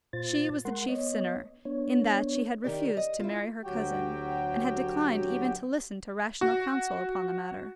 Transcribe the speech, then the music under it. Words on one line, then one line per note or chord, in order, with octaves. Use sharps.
She was the chief sinner, in that she had refused to marry her cousin, and had declined even to listen to rational counsel upon the matter.
A#2 F4 C5 A6
G#3 A#4 F#5 C6
B3 C#5 D#5
B3 D4 C#5
D#3 G4 D5
D#5
E4 F4
D2 F#3 F#4 G4 G5
F#4